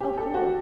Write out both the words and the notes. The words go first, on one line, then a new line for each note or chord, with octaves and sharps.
Oh, cool.
G4
A4
F#4